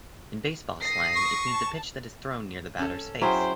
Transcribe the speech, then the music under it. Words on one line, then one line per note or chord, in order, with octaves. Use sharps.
In baseball slang, it means a pitch that is thrown near the batter's face.
D#6 A#6 C7
C#6
A5
C#4 A4
F#3 C#4 E4 G#4 C5 G5